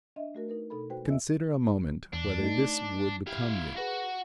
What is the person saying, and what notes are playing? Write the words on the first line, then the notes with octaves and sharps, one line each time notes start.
Consider a moment whether this would become you.
D4 D#5 E5
A3 F#4 A#4
D#4 A#4 B4
B2 D#4 A4 B5
G#3 F#4 B4 C5 G5
E2 B3 F4 D#5 E5 E6
E2 D4
A3 D#4
E4 G4 F5
F#4 G#4 B4 A#6